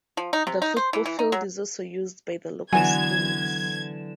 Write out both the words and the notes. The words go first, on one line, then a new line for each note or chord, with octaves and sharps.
The football field is also used by the local schools.
F3
D#4
C3
D#4
C5
E3
E3
D#4
F#3
D3 E3 F#3 B3 G#5 G#6 E7